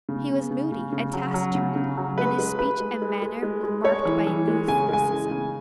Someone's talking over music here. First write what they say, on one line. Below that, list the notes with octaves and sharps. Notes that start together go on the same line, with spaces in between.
He was moody and taciturn and his speech and manner were marked by a new cynicism.
C#3
C#3
C#3
C#3
C#3
F#3
F#3
C#3
C#3
F#3
G#3 B4
G#3
G#3 B4
G#3
G#3
G#3
G#3
G#3
G#3 C#5
E3
E3
G#3
C#3 G#5
G#3 G#5
E3
C#3